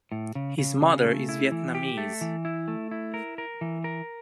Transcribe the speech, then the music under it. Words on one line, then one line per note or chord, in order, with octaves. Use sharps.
His mother is Vietnamese.
A2
C#3
C#3
C#3
A3
E4
E3
G4
A3
E3
E4
A3
E4
A#4
A#4
E3
A#4